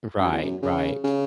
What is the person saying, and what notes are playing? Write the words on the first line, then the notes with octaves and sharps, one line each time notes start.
Right, right.
F#2
E2
F#2
C#3
C#3